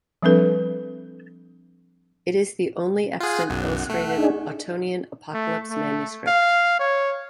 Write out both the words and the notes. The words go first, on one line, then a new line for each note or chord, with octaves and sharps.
It is the only extant illustrated Ottonian Apocalypse manuscript.
F3 G3 C4 D4 A4 B4
F4 G#4 F#5
B1 F#2
A3
D4 D#4 G#4
A3
A3
F5
C#5